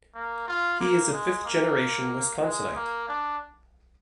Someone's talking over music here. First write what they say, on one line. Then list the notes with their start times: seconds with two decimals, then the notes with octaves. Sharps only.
He is a fifth-generation Wisconsinite.
0.14 A#3
0.47 F4
0.80 A#3
1.13 G#3
1.45 A#3
2.43 G#3
2.75 A#3
3.08 D4